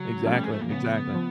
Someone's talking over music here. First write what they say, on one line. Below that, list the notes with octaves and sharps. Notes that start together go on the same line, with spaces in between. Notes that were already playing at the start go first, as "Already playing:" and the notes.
Exactly, exactly.
Already playing: C#3 F#3
F3 A3 C#4
G3
G#3
A3
A#3
C#3 B3
F3